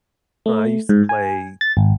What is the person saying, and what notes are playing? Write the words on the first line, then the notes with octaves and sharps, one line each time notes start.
I used to play,
A3
G#2
G#5
A6
G#1